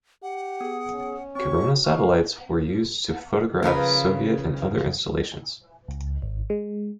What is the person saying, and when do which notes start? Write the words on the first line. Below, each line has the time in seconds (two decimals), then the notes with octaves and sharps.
Corona satellites were used to photograph Soviet and other installations.
0.23 G4 F#5
0.61 B3 G#4 D#6
0.92 C#4
1.35 C4 F#4 C#5 C#6
1.84 F5 C#6 F6
3.63 C#3 F3 A#4 B4
5.88 C#2
6.22 G#1
6.50 G#3